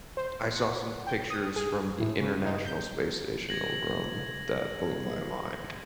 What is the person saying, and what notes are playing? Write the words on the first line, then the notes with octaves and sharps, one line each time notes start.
I saw some pictures from the International Space Station over 'em that blew my mind.
C5
F#5
G5
D#6
G#4
A2
C#3
D#4
G6
G#6 A#6 F#7